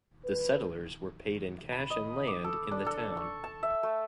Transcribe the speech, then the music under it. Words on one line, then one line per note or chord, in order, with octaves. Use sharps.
The settlers were paid in cash and land in the town.
B4
B5
D#5
D6
A4
D4
A4
C#6
A5
E5
A3